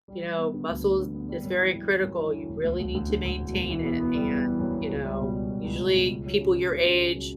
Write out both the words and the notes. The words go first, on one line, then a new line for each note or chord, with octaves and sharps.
you know, muscles is very critical. You really need to maintain it. And, you know, usually people your age,
G3
G3
B3
D3
D2
D2
D3
B3
G3
F#2
E3
F#2
E3
F#2
E3
E3
E1
D2
D2
D2
D3
D2
E1
E1
E3
B3
B3
G3
B3
E3
F#2
B3
C#2
G3
B2
G3
C#2
C#2
C#2
B2
C#2
F#3
C#3
F#3
C#3
C#3
C#2
F#3